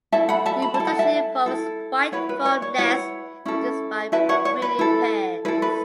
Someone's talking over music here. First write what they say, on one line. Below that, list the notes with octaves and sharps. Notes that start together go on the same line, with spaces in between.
Reproduction involves white foam nests produced by breeding pairs.
E4 A4 E5 A5
F#5 B5
E5 A5
B5
A5
E4 A4
F#5
E5 A5
E4 A4
E4 B4 C#5 F#5
B4
C#5
C#5
E4 B4 C#5 F#5
C#4 E4 A4
E4 B4 E5 A5
C#5 F#5
C#5
B4
E4 A4
E4 A4 B4
B4